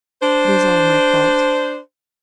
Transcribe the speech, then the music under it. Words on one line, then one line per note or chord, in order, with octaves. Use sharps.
It is all my fault.
D4 C5